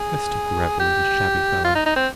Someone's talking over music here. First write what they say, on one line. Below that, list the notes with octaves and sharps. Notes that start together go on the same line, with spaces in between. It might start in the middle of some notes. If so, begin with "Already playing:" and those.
Mr. Greville is a shabby fellow!
Already playing: G#4
G4
F4
D#4
D#4
C4